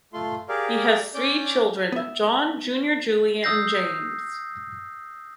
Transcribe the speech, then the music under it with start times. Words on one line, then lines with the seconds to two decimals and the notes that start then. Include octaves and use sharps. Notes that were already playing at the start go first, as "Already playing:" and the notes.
He has three children, John Junior Julie, and James.
0.13 A3 F4 C6
0.49 G4 G#4 A#4 D5 F5
1.14 C#4 D5 D6 G6
1.92 B3 E5
3.43 D#6 E6 G6 A#6 C7